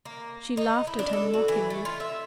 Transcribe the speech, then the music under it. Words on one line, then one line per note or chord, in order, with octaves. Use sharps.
She laughed at him mockingly.
A#3
D#4
E4
D4
A4
F#4
E3
A3
F4
E5